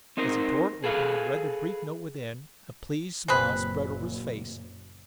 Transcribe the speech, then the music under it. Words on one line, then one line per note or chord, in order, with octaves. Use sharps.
As he tore it open and read the brief note within, a pleased smile spread over his face.
C4 D#4 A#4 C5
G#4 A4 B4 F5
F#1 A#2 C4 G#4 B4